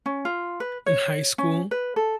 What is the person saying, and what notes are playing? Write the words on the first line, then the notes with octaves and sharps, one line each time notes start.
in high school,
C#4
F4
B4
C#5
C#4
B4
A4